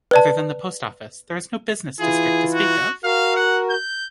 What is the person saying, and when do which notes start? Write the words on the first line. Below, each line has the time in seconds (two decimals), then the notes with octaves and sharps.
Other than the post office, there is no business district to speak of.
0.11 B4 D5 A5
2.00 E3 E4 F4 G#4
2.54 F#4
3.04 F#4 A#4 F5
3.36 F#5
3.70 G6